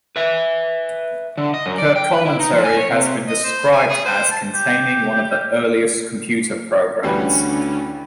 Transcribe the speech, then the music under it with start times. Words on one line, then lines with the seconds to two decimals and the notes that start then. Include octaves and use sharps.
Her commentary has been described as containing "one of the earliest computer programmes".
0.16 B4 E5
1.38 D3
1.54 D#5
1.66 F#2
1.78 D5
1.96 G5
2.13 B4
2.25 E4
2.39 D#4
2.53 F3
2.64 G#5
2.77 C#5
2.91 C3
3.27 D#5
3.44 C5
3.71 G#5
3.88 G#4
4.05 C5
4.31 A5
4.55 G4
7.03 D2 D3 E3 G3 C#4 B4